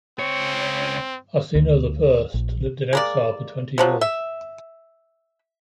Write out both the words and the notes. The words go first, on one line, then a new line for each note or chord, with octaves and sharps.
Arsinoe the First lived in exile for twenty years.
C#2 C4 C#5
D2
A#1
G#3 A#3 D5
C3 F3 F#3
E5